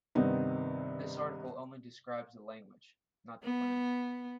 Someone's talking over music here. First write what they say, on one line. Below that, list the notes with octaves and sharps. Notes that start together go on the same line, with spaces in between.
This article only describes the language, not the planner.
G2 C3 D#3 B3 C4 D#4
B3